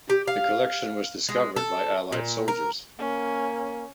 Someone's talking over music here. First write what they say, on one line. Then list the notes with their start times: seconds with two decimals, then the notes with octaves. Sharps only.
The collection was discovered by Allied soldiers.
0.10 G4
0.28 F5
1.29 G#3
1.56 A4
2.12 A#2
2.48 A#4
2.98 A#3 C#4